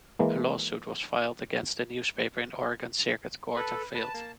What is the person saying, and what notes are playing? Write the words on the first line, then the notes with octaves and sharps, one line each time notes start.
A lawsuit was filed against the newspaper in Oregon Circuit Court and failed.
E3 G#3 A#3
A4 B4
B4 A5
A#3